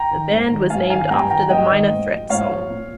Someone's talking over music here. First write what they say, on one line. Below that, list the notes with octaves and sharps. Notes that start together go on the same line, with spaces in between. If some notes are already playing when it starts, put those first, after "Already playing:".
The band was named after the Minor Threat song.
Already playing: G5 A#5
D#3
G#2
D#3
G#2 F5 G#5
D#3 F5 G#5
G2 G5 A#5
D#3 G5 A#5
G2 D#5 G5
D#3
G#2
F3
G#2 C#5 F5
F3
A#2